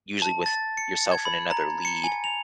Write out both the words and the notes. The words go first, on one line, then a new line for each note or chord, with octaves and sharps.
usually with yourself and another lead.
A5
A6
C#7
G#6
B5
A#5
C#7
G#5
F7